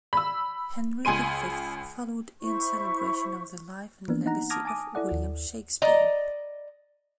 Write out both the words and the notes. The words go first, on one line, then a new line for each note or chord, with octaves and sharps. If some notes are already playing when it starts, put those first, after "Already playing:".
"Henry the Fifth" followed in celebration of the life and legacy of William Shakespeare.
B5 E6
C#2 G#5 C6 D#7
E4 C5 C#6
E3 A#3 B3 D4
D#4 F#5 A#5
A5 D6 D#6 F6 G#6 A#6
G#5 A5 D6 D#6
E4 A4 D5 F#5
D#2
D5 D#5 A#5